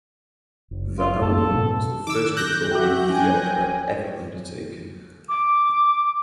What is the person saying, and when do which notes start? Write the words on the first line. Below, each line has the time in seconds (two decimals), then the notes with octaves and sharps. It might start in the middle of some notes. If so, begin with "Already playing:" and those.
The album was the first recording of the opera ever undertaken.
0.71 F#1
0.99 F4
1.22 F#2 A#3 A4
1.52 G#2 B2
2.07 D#3 D6 E6
2.37 F#6 G6 A#6
2.71 F#4 E5 G5 D6
3.06 F3 C#4 G5 G#5
5.29 D6